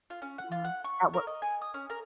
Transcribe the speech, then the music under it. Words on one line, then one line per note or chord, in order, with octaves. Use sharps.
Mhm. At what
F4
C#4
F#5
F4
F#5
C#6
A#4
D#5
G#5
D#6
C#4
A#4